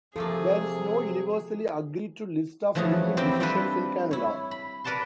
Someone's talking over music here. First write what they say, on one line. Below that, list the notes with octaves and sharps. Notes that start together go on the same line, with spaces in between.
There is no universally agreed-to list of "leading decisions" in Canada.
C3 F3 A3 A#3 G#4 A4
E3 F3 A3 C#4 F#4 G#4
C4 E4 G4 A#4 C5
G3 C4 D4 E4 F4 B4
E4 C#5
B5
A#4 B4 D5 F#5 A5 C6